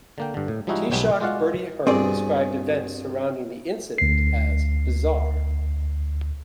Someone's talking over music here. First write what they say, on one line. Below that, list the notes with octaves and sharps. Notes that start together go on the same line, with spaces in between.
Taoiseach Bertie Ahern described events surrounding the incident as "bizarre".
D3 A#3 G5
G2 D3
A2
F3 G3 G#3 D#4 E4 F#4
B1 G3 G#3 B3 C#5 G5
G#3 F4 F#4 D5 F5 F#5
C2 G2 B2 C4 G#4 D5
D2 C7